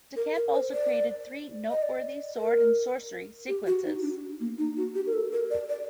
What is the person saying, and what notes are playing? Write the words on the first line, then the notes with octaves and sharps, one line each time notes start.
De Camp also created three noteworthy sword and sorcery sequences.
A#4
A#4
C5
D5
D#5
D5
A#4
G4
F#4
D#4
D4
A#3
D#4
F#4
G4
A#4
A4
A#4
D5
D5